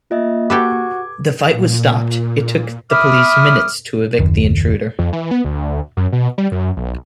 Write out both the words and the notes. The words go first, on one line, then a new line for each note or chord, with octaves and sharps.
The fight was stopped, it took the police minutes to evict the intruder.
A#3 F4 D#5 E5
F#4 G4 A4 B4 D6 G#6
A#2
E5 B5 D6 D#6 F6
F#1 D#2
F2
E3
B3
D2
F#2
B2
G3
F#2
B1